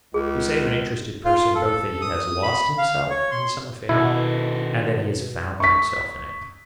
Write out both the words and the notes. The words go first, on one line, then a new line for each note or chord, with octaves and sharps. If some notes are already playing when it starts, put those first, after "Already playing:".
We say of an interested person both that he has lost himself in some affair and that he has found himself in it.
C#2 G#4
F4
A4
D#6
B5
F5
C#5
C6
B2 D#3 E4 A4 D#5
C#6 B6